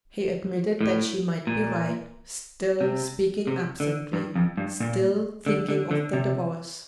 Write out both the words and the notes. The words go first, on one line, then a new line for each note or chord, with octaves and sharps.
He admitted that she might be right; still speaking absently, still thinking of the Divorce.
A2
A#2
C3
C3
D3
G2
F2
G2
A#2
D3
D3
D3
C3